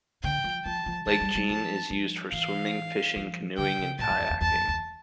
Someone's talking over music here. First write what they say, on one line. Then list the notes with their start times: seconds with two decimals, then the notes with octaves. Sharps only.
Lake Jean is used for swimming, fishing, canoeing and kayaking.
0.23 D3 G5
0.44 F3
0.65 F3 A5
0.86 F3
1.06 E3 A5
1.21 G3
1.35 G3
1.49 F3 A5
1.90 F3
2.32 E3 F5
3.16 F3
3.58 D3 G5
3.79 C#3
3.99 A2 A5
4.10 F2
4.20 E2
4.30 E2
4.41 E2 A5
4.55 F2
4.68 E2